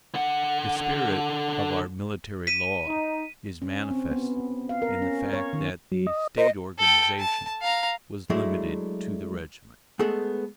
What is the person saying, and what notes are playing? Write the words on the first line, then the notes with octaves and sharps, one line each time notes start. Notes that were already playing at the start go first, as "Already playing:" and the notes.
The spirit of our military law is manifested in the fact that the State organization was limited to the regiment.
D3 F#5
B6 D#7
D#4
C#4
C4
B3
F5
A#4
C#4
C#5
D#3
F#3
D#5
A#4 C5 D#5
A4 G5
A5
F5 A#5
F#3 G#3 A3 D4 E4
G#3 A3 B3 G#4 A4